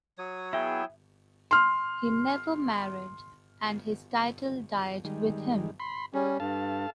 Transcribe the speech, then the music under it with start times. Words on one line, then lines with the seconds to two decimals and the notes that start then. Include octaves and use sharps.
He never married, and his title died with him.
0.18 F#3 C#5 D#6
0.53 B3 E4 G#4 E5 G5
1.51 C6 F6
5.05 D#3 G3 G#3
5.80 B5 C6
6.14 G3 C#4 G#4
6.40 G2 A4 F5 A5